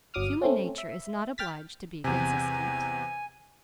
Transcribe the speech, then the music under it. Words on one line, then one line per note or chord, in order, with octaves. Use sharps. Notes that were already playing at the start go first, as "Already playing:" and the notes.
Human nature is not obliged to be consistent.
G1 F#3 D6 D#6 F6
A3 C4 C#4
E5
G5 F6 A6 B6
E2 C3 G#5